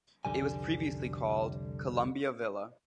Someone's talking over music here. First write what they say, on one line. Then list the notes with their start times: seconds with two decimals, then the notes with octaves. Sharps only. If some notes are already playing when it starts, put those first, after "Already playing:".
It was previously called Columbia Villa.
0.25 C2 F2 D3 D#3 G3 G#5